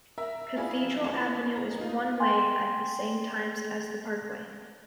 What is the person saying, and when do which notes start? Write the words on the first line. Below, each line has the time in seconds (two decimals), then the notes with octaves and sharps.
Cathedral Avenue is one-way at the same times as the parkway.
0.18 A#4 E5 A#5 E6
0.56 C#4 E4 F4 G#4 D5 B5
0.81 E3 F3
1.04 B3 C#4 E4 C5 A5 E7
1.56 A#5
1.77 D#4 F4
2.19 G5 G#5 C6